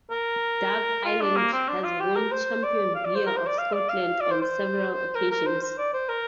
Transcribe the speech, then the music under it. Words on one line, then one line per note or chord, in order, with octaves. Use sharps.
Dark Island has won Champion Beer of Scotland on several occasions.
A#4
F4
D4
A#3
C4
D4
F4
G4
A#4
C5
D5
F5
D5
C5
A#4
C5
D5
F5
D5
F5
D5
C5
C5
A#4
A#4
C5
C5
D5
C5
A#4